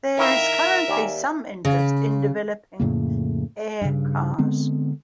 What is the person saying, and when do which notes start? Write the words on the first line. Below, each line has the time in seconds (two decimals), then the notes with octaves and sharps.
There is currently some interest in developing air cars.
0.18 D#3 E4 A#4 E5 F5
0.88 D#2 D5 G#5
1.65 C#3
2.80 F2 A2 C#3 A#3
3.82 G2 C#3
4.38 D3 G#3 B3 C4